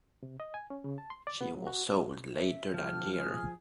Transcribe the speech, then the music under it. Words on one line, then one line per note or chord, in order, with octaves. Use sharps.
She was sold later that year.
C3
D#5
G#5
C#4
C#3
A5
C6
D5
B3
F#3
F#4
E5
F3 G4 A4 F6
G#4